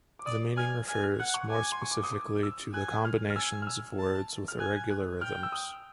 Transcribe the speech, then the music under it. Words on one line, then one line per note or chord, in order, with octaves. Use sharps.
The meaning refers more specifically to combinations of words with irregular rhythms.
D6
D5 D#6
G#5 F6
G#5 F6
F6
F#5 F#6
C#6
G#5 D6
C6
C#6
D6
D#6
D6
E6
G#5 F#6
F6
F6
G#5 E6
F6
E6
A5
F6
G#5 F#6
F#6
G5 F6
E6
D#6